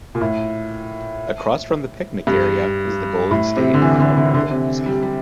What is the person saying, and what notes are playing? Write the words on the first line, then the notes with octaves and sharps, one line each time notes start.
Across from the picnic area is the Golden State Model Railroad Museum.
A#2
A2
G2
A2
C3
D3
E3
D3
D3
D3
C3
G3
G3